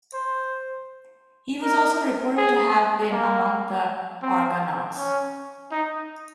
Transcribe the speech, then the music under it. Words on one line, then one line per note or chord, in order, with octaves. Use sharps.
He was also reported to have been among the Argonauts.
C5
A#4
G#4
A#3
C4
C#4
D#4